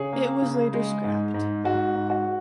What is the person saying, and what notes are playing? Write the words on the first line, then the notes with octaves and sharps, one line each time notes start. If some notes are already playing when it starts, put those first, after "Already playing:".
It was later scrapped.
Already playing: C#3 G#4 C#5
A#3
C#3
G#3
G#2
G#2
G#2 F#4
G#2
F#4